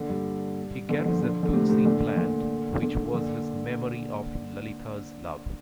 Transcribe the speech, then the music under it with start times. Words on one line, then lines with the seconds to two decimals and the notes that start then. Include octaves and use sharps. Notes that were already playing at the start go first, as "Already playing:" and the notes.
He carries a tulsi plant which was his memory of Lalitha's love.
Already playing: A#2 D3
0.09 G2
0.89 A#2 D3
1.05 D3 F3
1.22 D3 F3
1.43 A#2 D3
1.53 A2 C3
1.70 A2 C3
1.85 A#2 D3
2.17 A#2 D3
2.82 A#2 D3
3.13 A#2 D3